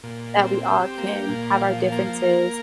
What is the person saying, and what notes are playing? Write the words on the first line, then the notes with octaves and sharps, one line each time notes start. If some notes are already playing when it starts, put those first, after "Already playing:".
That we all can have our differences,
A#2
C4
G4
A#3
A#2
F3
A#3
A#4